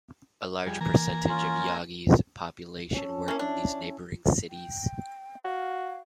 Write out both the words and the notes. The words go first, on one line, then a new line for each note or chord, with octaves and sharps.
A large percentage of Yagi's population work in these neighboring cities.
F2 G3 G#4
E3 A#3 G#5 A#5
C#4 F4
C#4 A4
A#3 C#4 E4
D4
G5
F#4 F5